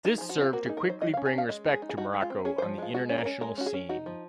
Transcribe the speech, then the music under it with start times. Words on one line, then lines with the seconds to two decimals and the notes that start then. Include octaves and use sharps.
This served to quickly bring respect to Morocco on the international scene.
0.05 D#4 A#4
0.18 G#4
0.21 F3
0.29 F#4
0.37 C4 F4
0.53 A#3 F#4
0.66 G#4
0.69 D#4
0.77 A#4
0.85 F#3 C5
1.01 F#3 D#5
1.14 F5
1.17 C#4
1.25 G#5
1.33 C#4
1.38 F5
1.49 G#3 D#5
1.66 D#4
1.73 G#4
1.82 D#4
1.89 G#4
1.97 D#4 F#4
2.14 G#3
2.22 F4
2.30 C4
2.45 C#4 G#4
2.58 C5
2.62 F3
2.78 G#3 F4
2.94 G#3 F#4
3.09 C#4
3.18 A#4
3.25 C#4
3.41 G#3 A#4
3.58 C#4 F#4
3.66 G#4
3.74 C#4
3.89 D#4 F#4
4.06 F3